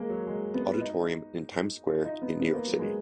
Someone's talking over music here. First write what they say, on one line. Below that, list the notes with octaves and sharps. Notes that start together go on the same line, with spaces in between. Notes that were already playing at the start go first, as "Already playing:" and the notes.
Odditorium in Times Square in New York City.
Already playing: G#3 A#3
F#3
G#3
B3
D#4
F4
D#4
B3
B3
A#3
F#3
G#3